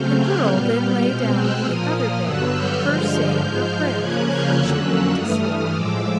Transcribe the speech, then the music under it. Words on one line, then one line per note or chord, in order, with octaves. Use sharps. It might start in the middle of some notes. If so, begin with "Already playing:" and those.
The girl then lay down in the other bed, first saying her prayers before she went to sleep.
Already playing: C#3 F#3 A3 C4 F6 G6
F#6 G#6
A#2 G3 B3 F6 G6
B2 G#3 C4
E6 F#6
A#2 F3 A#3 D#6 F6
D#6 F6
G2 D3 F#3 B3 E6 F#6
F6 G6
G2 D3 F3 G#3 F6 G6
F6 G6
G#2 F3 G#3
F6 G6
C#3 F3 A#3 C#4 F#6 G#6
F6 G6
F2 D3 F#3 A#3 C#4 E6 F#6
G2 E3 A3 D#6 F6
D#6 F6
A2 F3 G#3 D6 E6